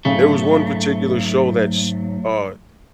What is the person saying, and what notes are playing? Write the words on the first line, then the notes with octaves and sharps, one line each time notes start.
there was one particular show that's, uh,
G#2 C#3 F#3 A3